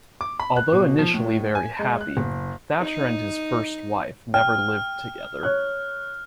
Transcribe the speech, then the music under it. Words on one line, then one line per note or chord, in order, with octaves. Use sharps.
Although initially very happy, Thatcher and his first wife never lived together.
D6
B5
F#6
B2
F3
A2
G#5
G#3
F#6
F#1
D#4 D#5
G5 F6
C#5 F#6